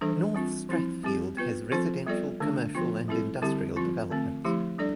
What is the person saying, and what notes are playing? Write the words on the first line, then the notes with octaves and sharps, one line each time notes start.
North Strathfield has residential, commercial and industrial developments.
E3 G3 D4 A4 C5
G3 C4 F4
F3 C4 E4
G3 C4 G4
B3 F4 B4
F3 C4 F4 A4 C5
G3 B3 F4 A4 D5
D3 A3 D4
F3 B3 F4
G3 C4 E4 A4
D3 G3 C4 E4 G4
F3 C4 F4
D3 A3 C4
F3 A3 E4 G4
G3 D4 A4 D5